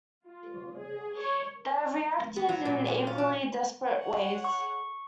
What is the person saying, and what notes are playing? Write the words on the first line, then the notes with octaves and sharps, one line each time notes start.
They have reacted in equally desperate ways.
F4
G#4
C#5
B3
F#3
A#2
C#4
F4
D4
C#5 F#5
C#6